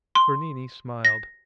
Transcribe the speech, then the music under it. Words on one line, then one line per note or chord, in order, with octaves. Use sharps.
Bernini smiled.
C6
A#6